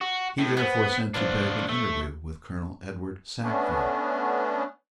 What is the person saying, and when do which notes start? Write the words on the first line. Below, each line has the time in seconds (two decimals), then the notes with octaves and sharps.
He therefore sent to beg an interview with Colonel Edward Sackville.
0.01 F#4
0.38 A2
0.57 B3 G#4 B4 C5
1.14 B2 F3 F#3 D4 F4
1.69 A3
3.43 A3 B3 C#4 D4